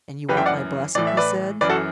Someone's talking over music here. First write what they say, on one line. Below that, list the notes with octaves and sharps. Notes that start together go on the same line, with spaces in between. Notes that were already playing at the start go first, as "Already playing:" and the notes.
"And you want my blessing?" he said.
F#2 E3 G4 B4
E5 G5
D5 F#5
A2 E3 D5
E5
B4 D5
F#2 E3 B4 D5
F#4 A4